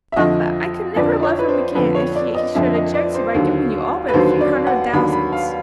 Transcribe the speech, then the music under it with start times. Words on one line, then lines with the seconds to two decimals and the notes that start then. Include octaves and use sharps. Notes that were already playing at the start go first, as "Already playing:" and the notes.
"Papa, I could never love him again, if he should object to my giving you all but a few hundred thousands."
0.12 E5
0.16 F2 D3 F3 D#5
0.96 F2 D3 F3 D5
1.23 C#5
1.39 B4
1.48 C5
1.75 F2 D3 F3 B4
1.95 C#5
2.15 D5
2.35 D#5
2.55 F2 D3 F3 E5
2.75 D#5
2.94 D5
3.14 C5
3.34 D#2 D3 F#3
4.09 B4
4.14 D#2 D3 F#3 C5
4.41 D5
4.67 F#5
4.93 D#2 D3 F#3 B5
5.12 B5
5.32 F5